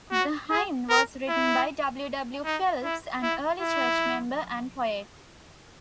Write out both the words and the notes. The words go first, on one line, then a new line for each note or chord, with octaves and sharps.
The hymn was written by W. W. Phelps, an early church member and poet.
F#4
G#4
A#4
E4
D#4
E4
E4
E4